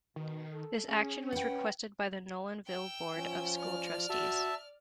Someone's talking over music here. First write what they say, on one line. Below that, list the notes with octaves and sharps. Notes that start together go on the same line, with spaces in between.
This action was requested by the Nolanville Board of School Trustees.
B2 D#3
A4
C#4 G#4
B4 F#5 G5
G5 E6
F3 C#4
D5 F6
F#4 E5 A5